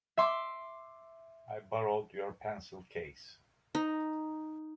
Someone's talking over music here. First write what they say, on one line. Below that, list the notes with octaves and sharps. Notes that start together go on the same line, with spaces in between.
I borrowed your pencil case.
E5 C6 D6
D#4